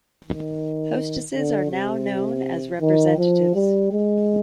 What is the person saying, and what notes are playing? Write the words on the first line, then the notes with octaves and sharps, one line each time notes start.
Hostesses are now known as representatives.
D#3
D3
C3
D#3
F3
G3
G#3